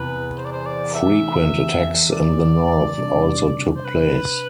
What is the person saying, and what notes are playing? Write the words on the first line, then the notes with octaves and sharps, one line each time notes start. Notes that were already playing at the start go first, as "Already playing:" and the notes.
Frequent attacks in the north also took place.
Already playing: E2 C3 E3 B4
C5
D5
C5
D5
E5
D5
C3 G3 D4
C5
B4